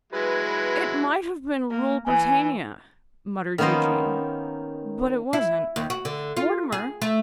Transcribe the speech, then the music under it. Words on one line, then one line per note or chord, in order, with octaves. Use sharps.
'It might have been Rule Britannia,' muttered Eugene, 'but it wasn't. Mortimer!'
F#3 G#3 E4 B4
A#3
E3 G#5
D#3 A#3 B3 C#4 C5 D#5
E4
D#2
F#4
D3
F4
G#4
A3